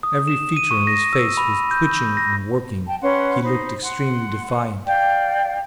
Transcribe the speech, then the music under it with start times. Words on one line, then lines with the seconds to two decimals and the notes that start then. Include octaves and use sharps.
Every feature in his face was twitching and working; he looked extremely defiant.
0.03 D#6
0.28 E7
0.57 D#7
0.71 C#6
0.87 A#6
1.13 E6
1.37 B5
1.71 G6
2.17 A#6
2.85 G5 A5
3.01 C#4 B4 F#5 C6
3.41 D#4 C5 B5
3.83 F#5 C6
4.86 D5 F5 G5